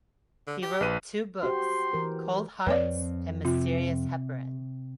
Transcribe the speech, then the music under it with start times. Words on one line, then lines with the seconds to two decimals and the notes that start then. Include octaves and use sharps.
He wrote two books, "Cold Hearts" and "Mysterious Heparin".
0.47 D3
0.62 G4
0.81 A#1 B4 D#7
1.43 F#4 G4 C5 C6
1.93 E3 A#4
2.67 F2 B3 C4 B4 C#5 D5
3.45 C3 F4